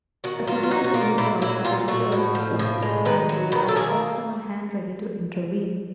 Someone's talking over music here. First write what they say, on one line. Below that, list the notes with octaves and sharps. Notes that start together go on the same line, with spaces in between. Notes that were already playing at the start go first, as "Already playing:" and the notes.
A significant reserve, under Sir Hugh Calveley, was also on hand ready to intervene.
D#3 F#4
F#3 F4
F4
D#4 F#4
F#4
A#3 F4
A#2 E4
F#3 E4
A#2 F4
A3 F#4
A2
F3
A2
G#3
D#3 B4
F#3
D#3 B4
A4
A#3 G#4